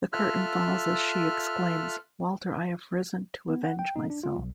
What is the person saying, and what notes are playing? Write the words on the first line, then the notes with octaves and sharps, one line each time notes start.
The curtain falls as she exclaims: Walter, I have risen to avenge myself.
F4 A4 E5 F6 F#6
B3
F#5
G5
D#4
D4
F4
B1